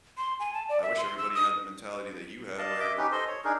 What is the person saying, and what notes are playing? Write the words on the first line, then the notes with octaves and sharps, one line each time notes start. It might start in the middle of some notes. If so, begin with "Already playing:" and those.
I wish everybody had the mentality that you had, where
C6
G#5
A5
D5
E5
C6
E6
D#6
D5 D#5 F5 A5
D#5 E5 D6
C#4 D#4 G4 B4
A4 C5 D#5 C6
C#5
D4 D#4 G#4 A#4